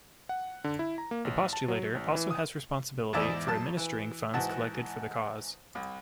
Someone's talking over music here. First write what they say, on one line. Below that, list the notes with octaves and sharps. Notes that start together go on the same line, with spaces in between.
The postulator also has responsibility for administering funds collected for the cause.
F#5
D3
E4
A#5
A#3
A1
A5
F#3
A1
E3
D#6
E2 G#2 E4 D5 E5
B1 A5
E3
G#2 E3 F#4 A5
C2